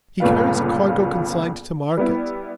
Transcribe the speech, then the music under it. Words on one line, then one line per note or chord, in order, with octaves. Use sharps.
He carries a cargo consigned to market.
G1 C#2 A#2 F4 B4 F5
G3 B3 E4